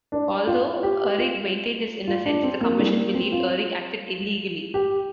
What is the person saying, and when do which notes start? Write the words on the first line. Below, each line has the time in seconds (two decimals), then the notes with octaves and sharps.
Although Uhrig maintained his innocence, the Commission believed Uhrig acted illegally.
0.12 D4
0.47 F4
0.83 G4
1.19 F4
2.08 F4
2.26 D4
2.43 C4
2.61 A#3
2.79 G3
2.96 A#3
3.14 C4
3.32 F4
4.74 G4